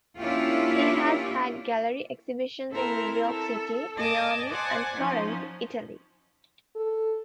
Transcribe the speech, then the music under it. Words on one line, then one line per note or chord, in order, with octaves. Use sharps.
He has had gallery exhibitions in New York City, Miami, and Florence, Italy.
A#3 C#4 D4 E4 F4 G4
C4 E4 A4 A#4 C5
A4
D5 D#5 G#5 A5 D6
C5 D5 F#5 G#5 A5
F3 C#4 D#4
A4